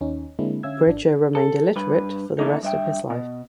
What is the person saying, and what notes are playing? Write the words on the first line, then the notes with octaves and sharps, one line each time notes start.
Bridger remained illiterate for the rest of his life.
D#2 C#4 D#4
D3 G#3 A#3 C4 D4 E4
D3 C#4 E5 F5 E6 G#6
G#1 D4
A4
G2 B4
E3 A3 A#3 C#4 D#4
G2 E5 G5
B2